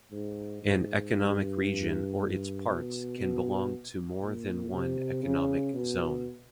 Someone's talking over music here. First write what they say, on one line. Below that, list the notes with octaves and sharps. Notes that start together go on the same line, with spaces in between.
An economic region or its parts can belong to more than one economic zone.
G#2
G#2
G2
G2
B2
B2
A#2
C3
C#3
B2